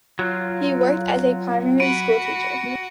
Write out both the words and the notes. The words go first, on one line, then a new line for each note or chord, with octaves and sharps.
He worked as a primary school teacher.
F#3 F4
F#4 B5 D7 D#7